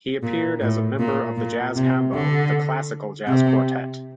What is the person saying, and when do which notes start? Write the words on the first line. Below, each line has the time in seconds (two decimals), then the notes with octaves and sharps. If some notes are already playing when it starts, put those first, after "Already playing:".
He appeared as a member of the jazz combo the Classical Jazz Quartet.
0.23 A#2
0.61 A2
0.99 A#2
1.37 A#2
1.76 C3
2.14 D3
3.27 C3